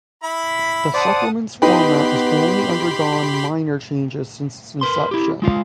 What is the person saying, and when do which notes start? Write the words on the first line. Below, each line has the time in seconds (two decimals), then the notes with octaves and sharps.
The supplement's format has only undergone minor changes since its inception.
0.23 E4 B5
0.94 C5 D5 F#5 A5 D#6
1.62 B3 D#4 G4 B4 G5 B5 C6
4.81 A#4 B4 C6
5.11 E4 G4
5.42 G#3 F4 F5